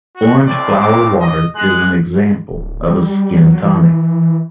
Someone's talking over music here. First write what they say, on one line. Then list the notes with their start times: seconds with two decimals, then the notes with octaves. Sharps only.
Orange flower water is an example of a skin tonic.
0.16 F#4
0.46 B1 A2 C4 D5
0.80 D6
1.20 D#5
1.56 G#3 F#6
2.52 D1
2.89 G3
3.44 F#3
3.62 E3